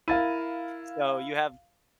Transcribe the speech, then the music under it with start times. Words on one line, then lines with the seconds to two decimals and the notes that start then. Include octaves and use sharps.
so, you have
0.08 E4 A#4 F5 A6 D#7